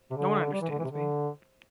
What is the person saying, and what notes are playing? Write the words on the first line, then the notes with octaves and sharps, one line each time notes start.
No one understands me.
C3
D3
G3
E3
D3
E3
C3
D3